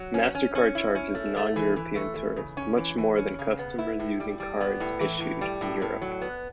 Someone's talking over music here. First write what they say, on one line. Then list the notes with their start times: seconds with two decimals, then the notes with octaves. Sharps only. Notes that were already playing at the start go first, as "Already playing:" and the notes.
MasterCard charges non-European tourists much more than customers using cards issued in Europe.
Already playing: F#3
0.14 C#4
0.35 C#4
0.55 C#4
0.75 E4
0.95 C#4
1.15 A3
1.36 A3
1.56 E3
1.76 E3
1.96 A3
2.16 E3
2.36 C#3
2.57 C#4
2.77 E3
2.98 E3
3.18 C#4
3.39 C#3
3.59 B3
3.79 E4
3.99 A2
4.20 G3
4.40 G3
4.60 B3
4.80 A2
5.00 E3
5.20 A2
5.41 G3
5.61 A2
5.82 A2
6.02 F#3
6.22 B3